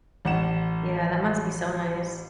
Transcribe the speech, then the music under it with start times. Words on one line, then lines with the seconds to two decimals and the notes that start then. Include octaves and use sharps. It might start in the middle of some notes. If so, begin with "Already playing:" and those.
Yeah, that must be so nice.
0.25 A1 F#5 E7